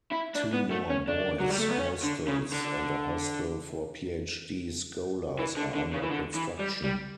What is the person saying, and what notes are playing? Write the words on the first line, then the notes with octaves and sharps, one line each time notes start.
Two more boys' hostels and a hostel for PhD scholars are under construction.
E4
D4
B3
A3
C#4
D4
F#3
G3
A3
B3
C#4
D3
C#3
D3
E3
D3
D3
C#3
E3
D3
E3
G3
G3